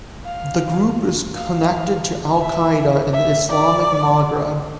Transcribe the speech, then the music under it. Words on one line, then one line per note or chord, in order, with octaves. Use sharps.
The group is connected to Al-Qaeda in the Islamic Maghreb.
F5
F5
E5
E5
D5